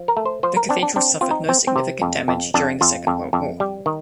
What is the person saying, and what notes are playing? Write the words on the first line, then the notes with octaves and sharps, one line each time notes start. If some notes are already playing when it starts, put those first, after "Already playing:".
The cathedral suffered no significant damage during the Second World War.
Already playing: F3
A#4
A3
C5
F3 C5
A#4
C4 D4
D4
C4 D4
C4 F4
D#4
C4
C4
C3
F2
F2
F2 D4
F2 F4
F2
F2
G3
D#3